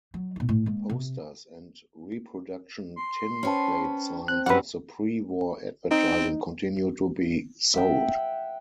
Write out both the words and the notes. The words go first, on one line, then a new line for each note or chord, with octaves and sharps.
Posters and reproduction tin-plate signs of the pre-war advertising continue to be sold.
F#3
B2 D#4
A2
G#3 A#3
C3
C6
C#4 B4 C5 G5 A5
C4 F#6
F#2 F#3 G3 B4 F#5 D6
C4 D#4
E5 F#5 G5